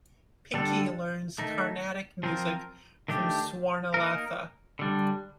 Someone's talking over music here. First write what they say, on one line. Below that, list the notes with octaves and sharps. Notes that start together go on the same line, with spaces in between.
Pinky learns carnatic music from Swarnalatha.
D3 G3 D4 A4
D#3 A3 D#4
F3 C4 F4 A#4
D#3 A3 D4 G4
A#3 D#4 A#4
D3 G3 D4